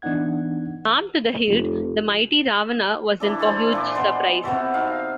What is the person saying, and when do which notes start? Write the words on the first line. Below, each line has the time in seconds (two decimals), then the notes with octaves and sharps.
Armed to the hilt the mighty Ravana was in for a huge surprise.
0.02 E3 B3 D4 D#4 F#5 G#6
1.48 F1
3.20 E3 D4 A4
3.39 G#4 A4 C5 A5
3.73 A#2 D4
3.95 B3 D#5 C6
4.43 C3 B3 F#4 A4
4.74 D#4 F5